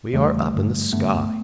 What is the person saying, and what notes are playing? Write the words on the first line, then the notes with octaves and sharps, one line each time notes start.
We are up in the sky.
E2 C#3 E3 G3 A3
G2 D3
G2 D3 A3 B3